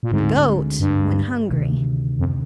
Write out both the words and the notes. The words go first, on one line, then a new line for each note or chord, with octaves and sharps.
The goat went hungry.
A#2
D2 G#2 D3 G#3 C4
G2
D2 C3 D#3
F2